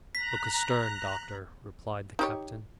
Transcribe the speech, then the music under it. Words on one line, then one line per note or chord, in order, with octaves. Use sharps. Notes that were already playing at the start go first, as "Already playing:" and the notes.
"Look astern, doctor," replied the captain.
A#5 F#6 B6
D#4 G4 C#5